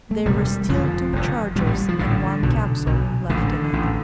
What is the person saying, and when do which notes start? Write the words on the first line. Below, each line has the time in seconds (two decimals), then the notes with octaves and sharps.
There were still two charges and one capsule left in it.
0.11 A3
0.26 E1 D2 C3 G3
0.69 F1 F2 D3 F3
1.13 F1 F2 D3
1.56 A1 A2 G3
1.67 G3
1.88 F3
1.99 A1 A2 D3
2.43 B1 B2
2.87 B1 B2
3.29 A1 A2 D3
3.73 A1 A2